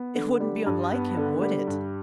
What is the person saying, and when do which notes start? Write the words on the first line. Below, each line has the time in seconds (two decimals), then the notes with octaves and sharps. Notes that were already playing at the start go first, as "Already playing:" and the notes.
"It wouldn't be unlike him, would it?"
Already playing: B3
0.15 D3
0.40 G3
0.66 G2
0.91 B3
1.17 D3
1.42 G3
1.68 G2